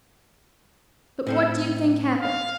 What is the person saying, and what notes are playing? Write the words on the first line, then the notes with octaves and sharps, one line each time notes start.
But what do you think happened?
A2 C4 A4
F5